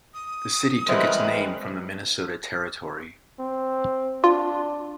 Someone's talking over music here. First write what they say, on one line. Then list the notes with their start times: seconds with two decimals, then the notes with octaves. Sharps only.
The city took its name from the Minnesota Territory.
0.14 D#6
0.88 E2 G3 G#3 C4 A#4 B4 D#5 E5
3.39 C4
4.24 D4 F4